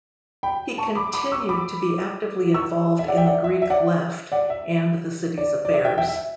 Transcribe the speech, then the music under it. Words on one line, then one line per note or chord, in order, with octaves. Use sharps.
He continued to be actively involved in the Greek left and the city's affairs.
G5 B5
A5 C#6
B5 D6
B5 D6
C#6 E6
B5 D6
C#6 E6
E5
D5 F#5
E5 G5
D5 F#5
E5
E5
D5 F#5
D5 F#5
E5
D5
D5
E5
E5 G5
E5 G5
E5